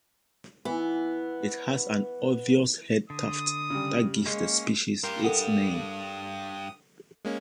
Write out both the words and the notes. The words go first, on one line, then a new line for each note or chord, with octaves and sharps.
It has an obvious head tuft that gives the species its name.
E3 B3
D3 D#6
C#3 G3
G#3 A#3 C#4
G2 G4 A#4 C6 G6
A4 A#4 F#5 D#6
G#3 A#3 C#4